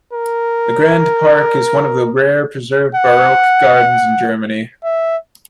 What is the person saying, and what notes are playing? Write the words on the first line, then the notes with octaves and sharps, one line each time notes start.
The grand park is one of the rare preserved baroque gardens in Germany.
A#4
F#5
E5